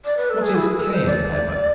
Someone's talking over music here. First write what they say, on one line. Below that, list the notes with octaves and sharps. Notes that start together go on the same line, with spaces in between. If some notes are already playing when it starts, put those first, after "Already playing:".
What is Cayenne Pepper?
D5
B4
A4
G#4
E4
B4
A4
C5
D5